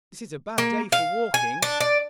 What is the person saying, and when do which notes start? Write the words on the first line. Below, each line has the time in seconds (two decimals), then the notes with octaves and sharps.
'This is a bad day for walking!
0.58 A#3
0.92 F5
1.34 G#5
1.62 D4
1.80 D5